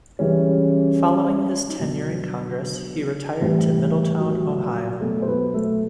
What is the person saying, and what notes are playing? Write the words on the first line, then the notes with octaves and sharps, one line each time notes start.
Following his tenure in Congress, he retired to Middletown, Ohio.
C#3 E3 G3 C#4
D#4
B2 D3 F#3 D4
A2 E3 G3
F#3 F#4
B2 F#3 A3 A4
C5
B3 B4
A3 A4